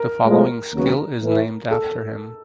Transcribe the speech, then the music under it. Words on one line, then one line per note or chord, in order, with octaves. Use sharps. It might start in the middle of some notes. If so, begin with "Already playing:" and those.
The following skill is named after him.
Already playing: A#4
A2 F3 G#3
D#2 C#3 F#3 B3
A2 E3 A3
A4